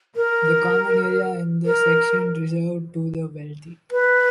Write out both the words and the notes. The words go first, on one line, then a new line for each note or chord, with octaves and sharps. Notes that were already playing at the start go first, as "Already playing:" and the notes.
The common area and the section reserved to the wealthy.
A#4
A#4
B4